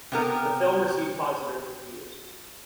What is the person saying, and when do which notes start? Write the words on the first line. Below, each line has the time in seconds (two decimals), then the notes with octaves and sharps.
The film received Positive Reviews.
0.12 C3 B3 A#4